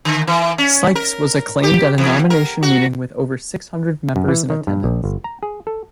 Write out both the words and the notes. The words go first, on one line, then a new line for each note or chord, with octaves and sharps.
Sykes was acclaimed at a nomination meeting with over six-hundred members in attendance.
D3
E3
C#4
A#4
G4
E2
A#4
F#4
F#2
E3
D#3
G2
A#1
G1
A#5
G#4
A4